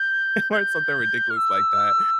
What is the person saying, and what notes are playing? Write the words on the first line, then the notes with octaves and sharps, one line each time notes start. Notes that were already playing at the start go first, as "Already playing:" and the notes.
or something ridiculous like that,
Already playing: G6
G6
F6
E6